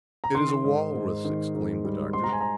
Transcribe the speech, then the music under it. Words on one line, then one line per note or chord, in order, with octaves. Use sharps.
"It is a walrus!" exclaimed the Doctor.
A#5
D#3 C6
G#2
G#2
D#3
G#2
G3
G#2 C6
A#5
G#5
A#5